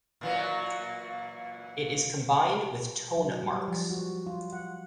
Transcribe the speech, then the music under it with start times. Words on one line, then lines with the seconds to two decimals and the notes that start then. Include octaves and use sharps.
It is combined with tone marks.
0.21 A#2 E3 F#3
3.17 F#3
3.43 G3
3.68 F3
3.90 F#4
4.26 F4
4.53 F#5